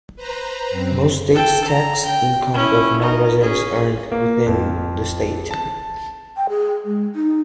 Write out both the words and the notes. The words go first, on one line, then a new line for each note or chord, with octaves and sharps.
Most states tax income of nonresidents earned within the state.
B4 C5 A#5
F#2 C4
A4 G5
A#5
G5
C#4 E4
D#4 A#4
C#4 G#4
A#3
F2
A5
G5
G#4
G#3
D#4